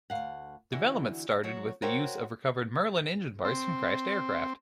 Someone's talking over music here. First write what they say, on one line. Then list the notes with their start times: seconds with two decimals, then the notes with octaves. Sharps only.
Development started with the use of recovered Merlin engine parts from crashed aircraft.
0.10 D2 F5 F#5
0.72 D3 E3 F#4
1.43 F#3 F#4 C#5
1.82 F#4 A#4 C5 C#5 E5 G5
3.45 C4